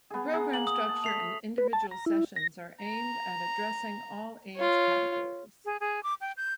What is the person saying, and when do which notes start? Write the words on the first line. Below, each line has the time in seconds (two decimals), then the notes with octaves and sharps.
The program structure and individual sessions are aimed at addressing all age categories.
0.10 B3 G#4
0.33 G#4 F#5 A#5
0.53 A#3 F#7
0.67 D#6
0.89 A5
1.04 A3 B6 C7 F7
1.58 B4
1.73 A5
1.91 A#5
2.06 E4
2.36 A#6
2.82 A#5
4.56 F4 C#5
5.65 G#4
5.80 G#4
6.03 D6
6.21 G5
6.37 G6